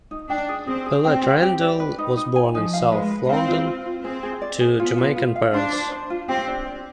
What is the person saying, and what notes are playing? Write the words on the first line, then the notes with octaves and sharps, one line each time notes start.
Paulette Randall was born in south London to Jamaican parents.
D#4
D4 G5
G#4
C4 G#4
G#4
C4 G5
G4
G4
D5
B4
D#4
D#4
G#5
F3 D#4
F5
G#3 B4
B4
C4 F5
F4
F4
F4
C4 G#4
G#4
D5
G#4
B3 F4
F4
F4
F5
D4 C5
C5
C5
F4
C4 G4
D4
D5